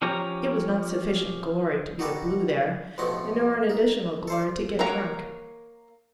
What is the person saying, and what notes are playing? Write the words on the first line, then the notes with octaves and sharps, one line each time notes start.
It was not sufficient glory to be a Blue there, nor an additional glory to get drunk.
F3 C#4 G4 C#5 A#5
D#4 F#4 G4 A4 B4
A1 G2 B2 F3 A3 D#5
D#4
A4 C5 D5
A#3 A#4 C#5 F#5 A#5